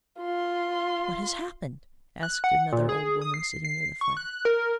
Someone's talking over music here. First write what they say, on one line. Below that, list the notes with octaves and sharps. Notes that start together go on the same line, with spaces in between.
"What has happened?" asked another old woman sitting near the fire.
F4 C6
F#6
F#5
A#2
G#4
D#6
C7
C7
C#6
F#6
A#4